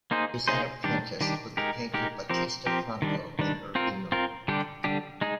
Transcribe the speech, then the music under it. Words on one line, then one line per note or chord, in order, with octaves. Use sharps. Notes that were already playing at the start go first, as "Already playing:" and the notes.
He was then apprenticed with the painter Battista Franco in Urbino.
A#3 D#4 G#4 C5
A#3 D#4 G#4 C5
D#3 G3 D4 G4
D#3 G3 D4 G4
G#3 D#4 G4 A#4
G#3 D#4 G4 A#4
F3 C4 G4 A#4
F3 C4 G4 A#4
D#3 G3 D4
D#3 G3 D4
C4 F4 A#4
C4 F4 A#4
D3 G3 D4 G4
D3 G3 D4 G4
G#3 D#4 G#4